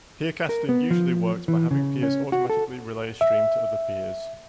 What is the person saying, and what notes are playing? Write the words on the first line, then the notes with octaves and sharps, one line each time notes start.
Peercasting usually works by having peers automatically relay a stream to other peers.
A#4
B3
F3
E3
C#3
C#4
F#4
A4
E5